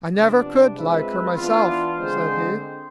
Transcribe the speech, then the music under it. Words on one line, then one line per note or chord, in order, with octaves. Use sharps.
'I never could like her myself,' said he.
C3 F3 B3 D4
G#3 C4 F4 B4 E5
E3 B3 D4 F4
D3 G#3 C4 G#4 C5